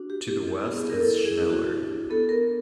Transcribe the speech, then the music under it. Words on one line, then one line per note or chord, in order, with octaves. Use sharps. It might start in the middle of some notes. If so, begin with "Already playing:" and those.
To the west is Schneller.
Already playing: D4 F#4
G4
E4 G4
B3 G#4
A#4
E4 A4
G#4
E4
F#4
D4 G4
B3 A4
A#4